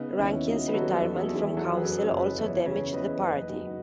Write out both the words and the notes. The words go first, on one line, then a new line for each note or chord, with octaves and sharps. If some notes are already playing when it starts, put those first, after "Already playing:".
Rankin's retirement from council also damaged the party.
Already playing: C#3 B3 D#4
D#2 C#4 E4
D#2 D#4 F#4
B4
F#3 F#4 A4
F#4 A4
E2
E4 G#4
E2 A4
E4 G#4
G#4
F#3 F#4 A4
G#4 B4
F#2
A4 C#5
F#1
B4 D#5
E2 C#5 E5
C#3 C#5 E5
E2 B4 D#5
F#1 B4 D#5
F#1 D#4 F#4